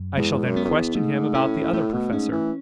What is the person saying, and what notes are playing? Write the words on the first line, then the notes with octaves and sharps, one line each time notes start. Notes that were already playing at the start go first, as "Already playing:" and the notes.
I shall then question him about the Other Professor.
Already playing: F#2
E2 G#3
F#2
B3
F#2
E2
G#2 A3
A2 C#4
A2 A3
B2
G#2 C#4
E3